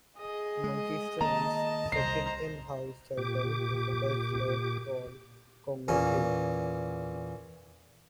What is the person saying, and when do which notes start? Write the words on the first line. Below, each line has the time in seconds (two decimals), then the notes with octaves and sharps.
Monkeystone's second in-house title was a puzzler called "Congo Cube".
0.18 G#4 D#5
0.64 G#3
1.21 D#3 A#3 D#5 A5 A#5
1.56 D#5
1.92 C2 C5 A#5 C7
3.18 A#2 G4 D6
5.88 E2 A#2 C#4